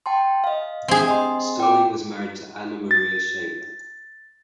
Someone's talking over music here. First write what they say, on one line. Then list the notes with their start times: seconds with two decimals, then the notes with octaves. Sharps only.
Sterling was married to Anna Maria Shaver.
0.06 G5 A5 C6
0.44 D#5 F5
0.88 C4 G#4
1.09 D#5 C6
1.60 G5 D6
2.91 A6